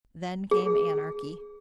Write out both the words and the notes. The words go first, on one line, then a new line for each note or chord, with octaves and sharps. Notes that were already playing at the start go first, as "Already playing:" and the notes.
Then came anarchy.
G#4